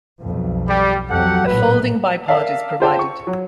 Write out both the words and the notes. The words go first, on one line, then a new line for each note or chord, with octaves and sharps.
A folding bipod is provided.
B1 F2
G3
F2 F#3 G4 A4 F#5
A#1 A2 B4
A#4 D5 E5 F5 A5
F4 G#4 C5 G5 A5
C#6
F#3